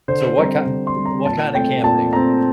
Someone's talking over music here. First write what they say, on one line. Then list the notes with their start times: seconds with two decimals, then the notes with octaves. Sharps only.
So what kind what kinda camping?
0.08 D3 C5
0.38 G3 C4 A#5
0.67 D3
0.87 C6
0.96 G3 C4
1.05 A#5
1.25 A#2 A5
1.54 A3 C4 G5
1.84 A#2 A5
2.13 A3 C4 A#5